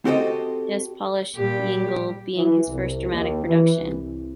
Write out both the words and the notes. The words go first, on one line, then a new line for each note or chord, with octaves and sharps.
"Das Polishe Yingel" being his first dramatic production.
C4 F#4 G4 A4 C5 D#5
A#2 G3 G4
E3
C2
D#2
E3
C2